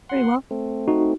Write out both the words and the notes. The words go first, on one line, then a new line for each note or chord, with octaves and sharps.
Pretty well.
F#5 C6
A3 C4
D#4 F#4